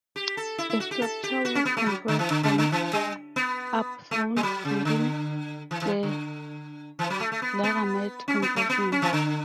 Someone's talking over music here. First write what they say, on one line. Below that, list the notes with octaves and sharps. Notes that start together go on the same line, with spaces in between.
The structure was compressed and upthrown during the Laramide compression.
G4
A4
E4
E4
F#4
G4
A4
G4
F#4
C#4
B3
A3
F#3
D3
E3
D3
C#3
D3
E3
G3
B3
A3
G3
F#3
C#3
D3
E3
E3
D3
E3
F#3
A3
A3
B3
B3
C#4
B3
A3
B3
C#4
E3
D3